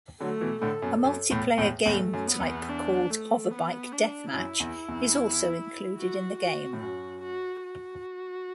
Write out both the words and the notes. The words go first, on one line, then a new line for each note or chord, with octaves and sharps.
A multiplayer game type called Hoverbike deathmatch is also included in the game.
D3 F#3 A3
B2 E3
A2 D3 A4
F#2 B2
F#2
E2 A2
E2 A2
E2 A2 A3
F#2
B3
E2
D4
A3
B3
D4
F#2 E4
E2
E2
F#4
F#4
A2
F#2 F#4
F#4
F#4